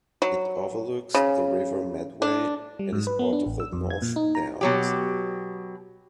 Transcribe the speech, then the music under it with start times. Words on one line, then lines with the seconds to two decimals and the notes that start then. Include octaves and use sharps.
It overlooks the River Medway and is part of the North Downs.
0.22 F#3
1.14 C#3
2.22 D4
2.79 G3
2.93 G#2
3.07 B4
3.19 B3
3.33 D4
3.46 A1
3.60 E6
3.73 F2
3.90 G#6
4.02 A#2
4.16 D#4
4.35 A#5
4.61 B2 F#3 G4